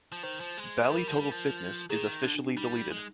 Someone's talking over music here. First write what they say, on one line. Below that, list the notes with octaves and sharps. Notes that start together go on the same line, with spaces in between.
Bally Total Fitness is officially deleted.
F3
D#3 C5
F3
G#3
G3 A#4
F3
G3
F3
D#3 G#4
D3 D4
D4
D4
G3 D#4
G#3